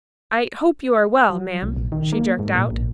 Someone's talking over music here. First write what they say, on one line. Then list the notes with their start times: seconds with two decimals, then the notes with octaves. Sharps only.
"I hope you are well, ma'am," she jerked out.
1.30 F#3
1.63 C2
1.76 A#1
1.92 D#3
2.12 A#3
2.39 G#2
2.55 A#2
2.71 A#1